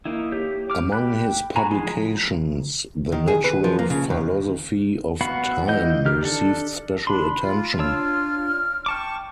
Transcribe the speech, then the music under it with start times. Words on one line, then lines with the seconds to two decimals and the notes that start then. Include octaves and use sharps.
Among his publications, "The Natural Philosophy of Time" received special attention.
0.05 A#3 D#4 E4
0.32 G4 C#5 G6
0.70 D6 F6
0.92 G5 B5 F#6
1.56 F#4 G#5 A#5 B5
1.70 F3 G#3 G#4 G#5 C6
3.12 D#3
3.28 G#4
3.44 B4
3.64 F3
3.79 A#3
3.90 C#3
4.10 D#2
5.21 B3 F#4 F5 F#5 B5
5.68 E3 D#5 G6
6.06 D#3 G4 F6
6.22 D4 A4
7.07 D4 B5 C6
7.41 F4
7.79 D4 C#5 E6 F6
8.86 G5 A5 C#6 D6